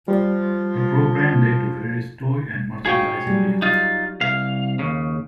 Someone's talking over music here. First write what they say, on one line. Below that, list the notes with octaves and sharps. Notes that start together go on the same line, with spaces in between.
The program led to various toy and merchandising deals.
F3 G3
D#4 F4 F#4 G#4 C#5 G5
F#3 G3
D#4 F4
C2 E5 F5
D#2 C#3